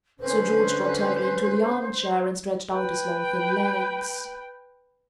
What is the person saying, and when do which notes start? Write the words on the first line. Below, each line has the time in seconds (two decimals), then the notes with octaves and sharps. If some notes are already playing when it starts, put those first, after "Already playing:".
Sir George dropped heavily into the arm-chair, and stretched out his long thin legs.
0.20 D3 C#4 B4 C5
2.74 B4 G5